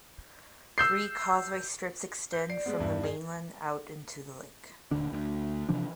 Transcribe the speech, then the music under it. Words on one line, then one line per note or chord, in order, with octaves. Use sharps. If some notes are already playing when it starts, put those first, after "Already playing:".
Three causeway strips extend from the mainland out into the lake.
E6 G6 C7
G6
D5 C7
G#3 B3
E2 G2 E4
G#4
D#1 D2 D3 D4
D2
C3 E3 F3 D4